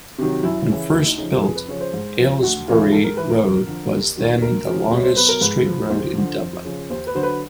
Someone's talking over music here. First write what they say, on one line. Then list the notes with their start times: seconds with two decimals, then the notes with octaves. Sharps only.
When first built, Ailesbury road was then the longest straight road in Dublin.
0.18 C3 D#3 F#3
0.43 F#2 E4
0.69 C#3 E3
0.93 D2 E4
1.06 D#4
1.18 C#3 F3 D#4
1.30 F4
1.43 F2 G#4
1.55 B4
1.68 C#3 F3 C#5
1.80 C5
1.93 G#2
2.18 F3
2.42 D2 F#4
2.68 C#3 E3 F4
2.92 G#2 A4
3.04 A#4
3.17 E3 B4
3.30 A#4
3.42 F2
3.67 D3 F3
3.92 D#2
4.17 D#3 F#3
4.41 D2 A#4
4.67 C#3 F3
4.91 C2 C#5
5.04 C5
5.16 B2 F#3 B4
5.29 A#4
5.41 G#2 B4
5.66 F3
5.90 D#2 C5
6.15 D3 F3
6.41 F2
6.65 C#3 F3
6.90 D#2 C5
7.07 B4
7.15 D3 F#3 C5
7.23 B4